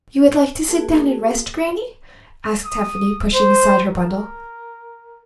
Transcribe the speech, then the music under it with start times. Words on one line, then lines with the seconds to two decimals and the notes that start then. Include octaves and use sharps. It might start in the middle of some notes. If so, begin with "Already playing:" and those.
'You would like to sit down and rest, granny?' asked Tephany, pushing aside her bundle.
0.68 A#3 F#4 G#4 A#4 A5
2.65 D#6
3.34 C5
3.89 A#4